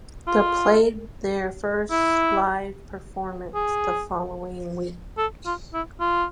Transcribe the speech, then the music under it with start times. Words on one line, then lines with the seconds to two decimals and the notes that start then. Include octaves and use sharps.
The played their first live performance the following week.
0.27 F4
1.90 E4
3.54 G#4
5.18 A4
5.46 F4
5.73 E4
6.00 F4